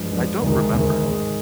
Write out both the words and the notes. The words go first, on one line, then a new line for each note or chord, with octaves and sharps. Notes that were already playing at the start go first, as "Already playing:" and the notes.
I don't remember.
Already playing: G2 F3 G#3 D4
G2 F3 G#3 D4
D2 C3 D#3 G#3
D2 C3 D#3 G#3
G#2 D#3 G#3